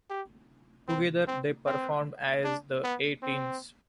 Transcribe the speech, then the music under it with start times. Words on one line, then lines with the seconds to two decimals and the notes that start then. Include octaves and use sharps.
Together they performed as the A-Teens.
0.10 G4
0.88 C4
1.28 C4
1.66 C4
2.44 D4
2.84 B3
3.23 C4